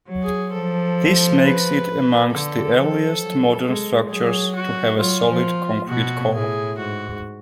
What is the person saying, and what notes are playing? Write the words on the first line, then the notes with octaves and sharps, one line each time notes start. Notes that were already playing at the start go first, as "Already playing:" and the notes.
This makes it amongst the earliest modern structures to have a solid concrete core.
F#3
G#4
F3 A4
B4
D3 A4
F3
F#3
G#3
F#3 G#4
F#4
F#3 F4
F3
B2 F#4
A2 G#4
G#2 F#4